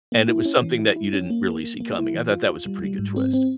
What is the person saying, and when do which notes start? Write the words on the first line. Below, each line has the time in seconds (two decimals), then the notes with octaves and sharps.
and it was something that you didn't really see coming. I thought that was a pretty good twist.
0.12 A#3
0.28 E4
0.46 C#4
0.62 E3
0.79 E4
0.96 E4
1.13 C#4
1.30 A#3
1.47 A#3
1.64 A#3
1.80 A#3
1.98 E4
2.15 E3
2.31 F4
2.49 F4
2.66 G3
2.83 G3
2.99 G#2
3.16 C4
3.33 C4